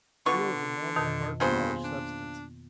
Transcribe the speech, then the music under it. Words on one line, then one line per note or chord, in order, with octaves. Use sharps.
Steel is a normal, hard, polished substance.
D3 B3 F4 C#6
F2 B2 D#3
G2 C#3 A#3 B3 F4 G#4 C5
D4